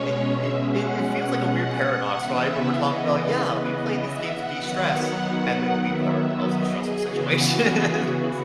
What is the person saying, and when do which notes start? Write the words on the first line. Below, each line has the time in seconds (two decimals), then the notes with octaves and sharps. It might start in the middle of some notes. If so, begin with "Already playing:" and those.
It it it it feels like a weird paradox, right, where we're talking about, "Yeah, we play these games of destress, and we we put ourselves in stressful situations.
Already playing: B2 G#3 C#4 C#5
0.32 E5
0.62 F#5
2.14 C#3 E3 B3 E5
2.75 D#5
3.36 B4
3.66 D#5
3.97 E5
4.27 F#5
4.57 D#3 F#3 B3
5.79 E5
6.40 D#5
6.71 G#4
7.01 C#3 E3 B3 F#4
7.62 G#4
7.92 F#4